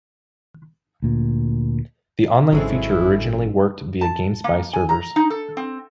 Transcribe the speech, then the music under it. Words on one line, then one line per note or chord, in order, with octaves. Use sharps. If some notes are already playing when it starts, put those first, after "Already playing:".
The online feature originally worked via GameSpy servers.
D2 A#2
G#1 F#3 G#3 C4 C#4 E4 A4
A5
A#3
G#5
A#5
D#4
A4
C4